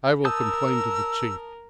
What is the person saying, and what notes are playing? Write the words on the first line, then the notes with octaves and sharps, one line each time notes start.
I will complain to the Chief.
A#4 A5 D#6 E6 G6